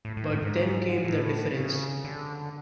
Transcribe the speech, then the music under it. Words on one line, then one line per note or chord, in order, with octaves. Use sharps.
But then came the difference.
A2
A2
G#2
G#2
A2
C#3
D3